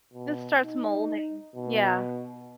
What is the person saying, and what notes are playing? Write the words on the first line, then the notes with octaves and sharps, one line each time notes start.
It starts molding, yeah.
B2
D#4
B2